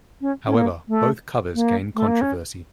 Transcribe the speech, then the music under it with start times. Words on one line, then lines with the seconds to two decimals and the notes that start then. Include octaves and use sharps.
However, both covers gained controversy.
0.21 C#4
0.46 C#4
0.54 A#3
0.88 A3
1.55 A#3
1.95 A3
2.08 A#3
2.21 C#4